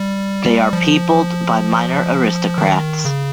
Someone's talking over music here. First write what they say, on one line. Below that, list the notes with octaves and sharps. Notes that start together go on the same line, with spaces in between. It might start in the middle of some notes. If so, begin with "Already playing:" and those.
They are peopled by minor aristocrats.
Already playing: G3
F3
D#3
C#3